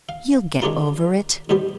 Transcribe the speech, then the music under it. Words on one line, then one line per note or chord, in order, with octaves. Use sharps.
You'll get over it.
F5
D#3 G#3 C#4 D4 F4 A#4
G#2 B2 G3 C5